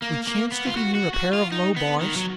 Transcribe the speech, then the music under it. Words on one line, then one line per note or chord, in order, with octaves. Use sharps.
We chanced to be near a pair of low bars.
A#3
A#3
B3
F4
F#4
F#4
F#4
F4
D#4
B3
D#3
F#3